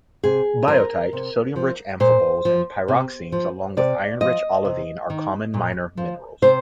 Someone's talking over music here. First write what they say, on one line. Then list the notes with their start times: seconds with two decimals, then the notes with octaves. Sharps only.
Biotite, sodium-rich amphiboles and pyroxenes along with iron-rich olivine are common minor minerals.
0.23 C3 G#4
0.68 F3 A#4
1.13 C3
1.56 F3
2.00 A#2 C5
2.45 F3
2.88 C3
3.32 F3
3.77 C3 D5
4.21 F3 D#5
4.65 C3
5.10 D#3
5.54 A#2
5.97 F3
6.42 C3 C5